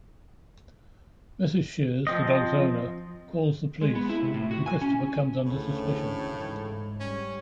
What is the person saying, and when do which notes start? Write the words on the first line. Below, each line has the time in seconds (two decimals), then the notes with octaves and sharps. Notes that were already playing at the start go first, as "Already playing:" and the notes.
Mrs Shears, the dog's owner, calls the police, and Christopher comes under suspicion.
2.07 F3 C4 D#5
3.81 G#3
3.95 B3
4.09 E4
4.22 C3
4.34 A2
4.51 F#4
4.66 G#5
4.82 C#4
5.45 D2 A2 C#3 E3
6.36 G#2
7.00 G3 C#4